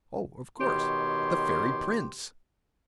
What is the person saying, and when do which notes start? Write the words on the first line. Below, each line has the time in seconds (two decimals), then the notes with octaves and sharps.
Oh, of course, the fairy prince.
0.59 B2 D#3 G4 C#5 C6